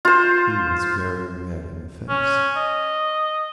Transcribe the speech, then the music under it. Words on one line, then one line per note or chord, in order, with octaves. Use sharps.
He was very red in the face.
F4 C5
C#4
D#5